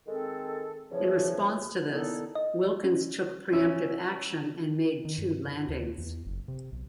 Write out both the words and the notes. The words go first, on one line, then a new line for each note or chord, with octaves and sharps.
In response to this, Wilkins took pre-emptive action and made two landings.
D#3 G#3 C4 A4
E2 C#3 F3 C#5
A#2 D#3 B3 D#4 E4 A4
D#5
C#4
C#4 E4 E6
D#3
G2
D#2
E2
F#1
C3
B1